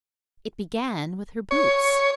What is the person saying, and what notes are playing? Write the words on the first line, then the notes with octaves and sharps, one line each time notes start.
It began with her boots.
C#5